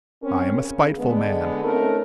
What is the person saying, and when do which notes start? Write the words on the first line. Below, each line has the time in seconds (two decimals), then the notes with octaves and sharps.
I am a spiteful man.
0.22 C4 C#4 A#4
0.57 C#3
0.98 D3 G#3 B3
1.64 A3 C4 C#4 D#4 A#4